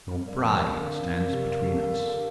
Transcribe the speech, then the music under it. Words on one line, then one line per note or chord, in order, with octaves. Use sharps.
"Your bride stands between us."
G2 C4
A#4 D5 F5
F3 C4
A#4 D5 F5
D3 C4
A#4 D5 F5
F3 C4
A#4 D5 F5
C3 G4
A#4 F5
D3 G4
A#4 F5
G4
A#4 F5